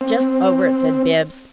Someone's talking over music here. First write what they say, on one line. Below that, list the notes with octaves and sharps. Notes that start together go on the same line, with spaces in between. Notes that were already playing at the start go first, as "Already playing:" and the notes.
"Just over it," said Bibbs.
C4